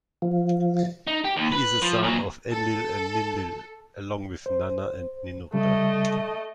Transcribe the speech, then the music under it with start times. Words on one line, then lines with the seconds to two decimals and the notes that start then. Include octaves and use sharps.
He is a son of Enlil and Ninlil, along with Nanna and Ninurta.
0.22 F3
1.07 D#4
1.24 G4
1.37 D#2
1.52 B4
1.82 F3
2.03 A#2 F#3
2.51 A4
4.46 C5
5.54 C#3 G3 A3 D#5